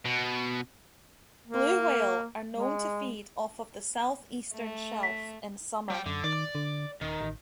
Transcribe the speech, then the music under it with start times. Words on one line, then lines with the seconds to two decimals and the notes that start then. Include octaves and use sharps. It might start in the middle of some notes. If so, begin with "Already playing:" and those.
Blue whale are known to feed off of the southeastern shelf in summer.
0.05 B2
1.47 A#3
2.53 G#3
4.54 A3
5.03 B6
5.90 G3 G5
6.06 F#2 D3
6.24 D#3 D5
6.55 D3
7.01 D#1 D#3
7.21 A1